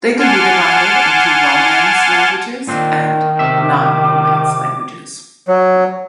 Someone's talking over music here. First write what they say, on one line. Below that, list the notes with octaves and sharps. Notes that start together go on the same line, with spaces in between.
They can be divided into Romance languages and non-Romance languages.
F#5 G#5 A5 C6 D6 F6
A#2 D#3 C4 D4
C3 E5 D6
F#3